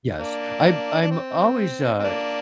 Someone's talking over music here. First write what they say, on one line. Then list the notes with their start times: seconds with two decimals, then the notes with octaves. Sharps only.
Yes. I'm I'm always, uh,
0.18 A#3 D4
1.01 D4
1.11 C4
1.99 C4
2.03 A#3 D4